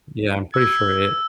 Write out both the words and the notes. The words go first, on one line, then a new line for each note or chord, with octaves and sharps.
Yeah, I'm pretty sure it
E6 G#6